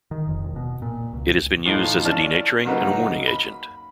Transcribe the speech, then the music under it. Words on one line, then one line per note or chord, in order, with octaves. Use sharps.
It has been used as a denaturing and warning agent.
D#3
F1
E1
B2
A#2
C#2
A2 E3 F3 D#4
C#4 D5 A5 F6
C#3 F#3 A#3 D#4 B4
B5